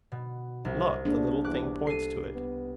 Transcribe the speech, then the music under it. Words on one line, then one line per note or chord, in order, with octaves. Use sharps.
"Look, the little thing points to it."
B2
C2 C3
A#3 B3 D4 G#4
E2 D6 F#6
A4 C7 D#7
B3